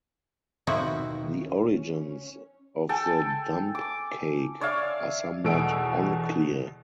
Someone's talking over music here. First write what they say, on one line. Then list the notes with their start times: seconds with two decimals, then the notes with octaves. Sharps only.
The origins of the dump cake are somewhat unclear.
0.67 D#2 B2 D#3 F3 E4 F#4
1.43 C#4
2.89 A4 G5 G#5
3.75 D6
4.61 C#5 D5 E5 F5
5.44 E2 B2 A3 E6 D7